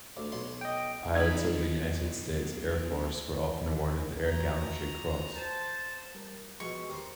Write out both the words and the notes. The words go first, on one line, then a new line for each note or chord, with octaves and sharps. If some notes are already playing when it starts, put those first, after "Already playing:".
Pilots of the United States Air Force were often awarded the Air Gallantry Cross.
D2
B1 C6
D#5 G5
B1 D#4 B5 G#6
F#4 A#5
C5 A5
G3 A#4
B2 F3 G#3 C#6
D#2 G4 A#4 C5